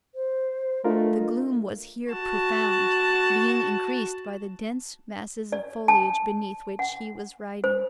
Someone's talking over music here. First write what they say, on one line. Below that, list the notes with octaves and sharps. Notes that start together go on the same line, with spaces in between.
The gloom was here profound, being increased by the dense masses of foliage beneath which he was riding.
C5
A3 D4 F4 A#4 D#5
F#4 A5
D5
A5
F#5
C5